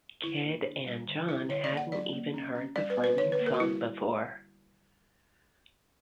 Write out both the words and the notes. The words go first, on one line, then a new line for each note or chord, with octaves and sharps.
Kid and John hadn't even heard the flaming song before.
D3 E4
A#3
D4
G3
D3
G3 E4
D3 C#5
D5
A#3
F#5
F#3 D5
A#3
C#4
C#4
G3 D5
B4
B3
B4
D3 C#5
B4
A#3
A#4
F#4
G3 E4